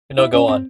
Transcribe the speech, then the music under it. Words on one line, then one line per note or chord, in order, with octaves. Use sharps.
No, go on.
E4
C#4
C4